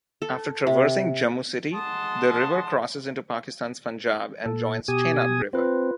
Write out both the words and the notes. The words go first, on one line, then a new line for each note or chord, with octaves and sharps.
After traversing Jammu city, the river crosses into Pakistan's Punjab and joins Chenab river.
A4
C3
G#3 F#5 A5 C6 D#6
A#2 A4
B2 G4 G#5 D#6
C4 F4 B4